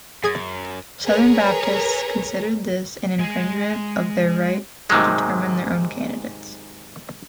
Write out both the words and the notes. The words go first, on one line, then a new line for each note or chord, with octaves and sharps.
Southern Baptists considered this an infringement of their right to determine their own candidates.
F#2 G#4 D#6 G#6
G#4 A#4 B4 C#5 A#5
G#3 G#5
G#2 C3 D#3 F#3 G#3